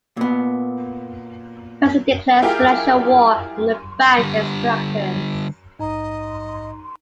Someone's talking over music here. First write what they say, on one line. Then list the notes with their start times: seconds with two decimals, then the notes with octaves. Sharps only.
Benson declares "financial war" on the bank and its directors.
0.17 A#2 B3
2.42 E4 F4 G4 G#4 A#4 G5
4.19 D3 G3
5.79 A#1 G#2 D#4 D#5 A#5